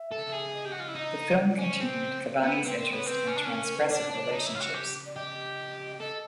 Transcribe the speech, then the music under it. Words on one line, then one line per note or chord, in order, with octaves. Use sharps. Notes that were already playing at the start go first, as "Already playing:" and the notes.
The film continued Cavani's interest in transgressive relationships.
Already playing: E5
A4
G#4
D#5
G4
F#4
F4
E4
D#4
D5
C#4 C5
C4
B3
C4 B4
C4 A#4
B3 C#5
C4 B4
C#4
D4
C#4 A#4
A#4
B4
D4 C#5
D5
D4 C#5
D#4
E4
F4
F#4
G4
D5
G4 D#5
A4 D#5